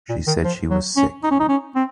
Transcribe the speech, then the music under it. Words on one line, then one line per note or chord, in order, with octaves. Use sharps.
She said she was sick.
A#2
D#3
F3
F#3
C#4
D#4
C#4
D#4
C#4
C4